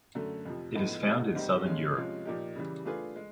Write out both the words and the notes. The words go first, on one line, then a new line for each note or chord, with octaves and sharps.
It is found in southern Europe.
F#2 D3 F#3 A3
F2 C3 F3
A2 F3 G#3 B3 D#4
G3 C4 D#4 F#4 A4
G#2 D#3 G3 C4 D#4
A2 F3 G#3 C#4 F4
C3 F3 G#3 C#4 F4
A#2 F3 A#3 D#4 G4
C#3 E3 G3
A3 D4 F4 G#4 B4
G#3